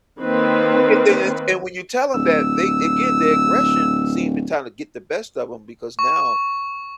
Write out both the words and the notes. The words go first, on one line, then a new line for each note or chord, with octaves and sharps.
And then it's and when you tell 'em that, they again, their aggression seem the time the get the best of 'em because now,
D#3 A#3 C4 B4
D1 E6
C#6